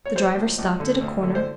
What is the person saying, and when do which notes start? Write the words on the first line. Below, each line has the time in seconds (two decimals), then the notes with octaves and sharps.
The driver stopped at a corner.
0.06 C#5
0.15 F#3 C5
0.37 C#2
0.58 C#2
0.80 D3
1.01 D2
1.23 D3
1.35 C5